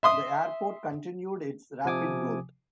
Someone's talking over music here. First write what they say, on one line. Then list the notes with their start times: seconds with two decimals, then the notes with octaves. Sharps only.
The airport continued its rapid growth.
0.03 E5 C6 D#6
1.85 C3 F3 G#5 D6 D#6